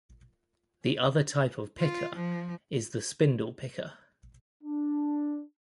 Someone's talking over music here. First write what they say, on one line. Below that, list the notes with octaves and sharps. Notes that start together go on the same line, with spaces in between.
The other type of picker is the "spindle" picker.
F4
F3
D4